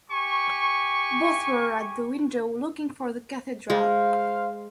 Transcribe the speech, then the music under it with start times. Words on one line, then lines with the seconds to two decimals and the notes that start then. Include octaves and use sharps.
Both were at the window looking for the cathedral.
0.11 G4 G#5 C#6
3.70 G#3 C5 F5